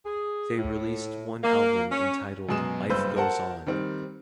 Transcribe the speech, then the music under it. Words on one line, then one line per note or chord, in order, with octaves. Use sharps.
They released one album entitled "Life Goes On".
G#4
A2
A#3
C#4
F#2 B2 G#3 D#6 E7
F#1 G2 B4 C5 E6 G6
A4 A#4 C5 F#5 A5
D#3 G3 C4